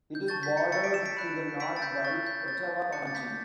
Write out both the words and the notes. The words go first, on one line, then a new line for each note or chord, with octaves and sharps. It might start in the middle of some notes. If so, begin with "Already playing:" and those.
It is bordered to the north by Ottawa County.
G6
A5 C#6 G6 A6
G6 B6
A6 C#7
C#6 E6 G6 A6 C#7
B6 D7
C#7 E7
B6 D7
B5 F#6
B5 E6 G6 B6 D7
A6
G6 B6
C#6 F#6 A6
G6
C#6 G6 A6
A5 D6 F#6 A6 C#7
A6
G6 B6